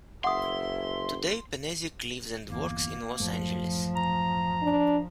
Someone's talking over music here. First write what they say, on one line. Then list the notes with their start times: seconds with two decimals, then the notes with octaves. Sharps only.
Today Penezic lives and works in Los Angeles.
0.24 F#1 E5 F#5 C6 D#6
2.48 G1 E2 A#3
3.20 A1 F#2 F3 A3
3.96 A#5
4.63 D4